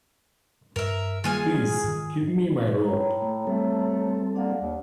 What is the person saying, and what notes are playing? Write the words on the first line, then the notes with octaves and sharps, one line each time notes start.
Please give me my robe.
G2 A#4 E5
D#3 G3 A#3 F4 G#4 G#5 F6
G#2 D#3
A2 C#5 A#5
A3
G3 A3 C4 A4
A#3 D4 D5 F#5
D#2